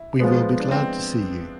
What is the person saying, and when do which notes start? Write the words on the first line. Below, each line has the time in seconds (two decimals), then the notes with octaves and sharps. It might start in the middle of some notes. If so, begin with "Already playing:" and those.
We will be glad to see you!
Already playing: E4
0.20 F3 G#3 B3
0.59 D4
0.71 C4